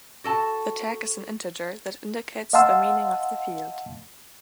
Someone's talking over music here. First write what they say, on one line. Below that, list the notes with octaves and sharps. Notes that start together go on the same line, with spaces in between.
The tag is an integer that indicates the meaning of the field.
F#4 A4 A5
D#5 F5 F#5 A5 C6 E6